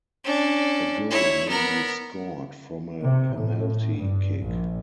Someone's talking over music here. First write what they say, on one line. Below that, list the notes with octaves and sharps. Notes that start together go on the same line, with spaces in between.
A goal may be scored from a penalty kick.
C#4 D4
E4 C#5
B3 A#4
C3
A2
G2
A#1